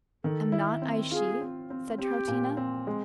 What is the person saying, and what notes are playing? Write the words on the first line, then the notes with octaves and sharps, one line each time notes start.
"Am not I she?" said Troutina.
D#3 A4
E4
C4
F4 G#4
C4
C4
C4 G4
A#2
C4
G#3